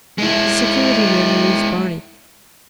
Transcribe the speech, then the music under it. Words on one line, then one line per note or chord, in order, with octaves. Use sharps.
The security men released Barney.
G#3 E4